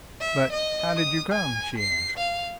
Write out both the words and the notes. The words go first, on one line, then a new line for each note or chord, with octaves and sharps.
"But how did you come?" she asked.
E5
D#5
D#6
G#5
C7
F5